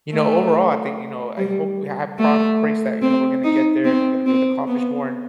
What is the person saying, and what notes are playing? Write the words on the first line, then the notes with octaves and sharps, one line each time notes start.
you know, overall, I think, you know, I hope we have prop praise that, you know, we're gonna get there, and we're gonna be able to accomplish more and
A3
G3
A3
C4
D#4
C4
C4
B3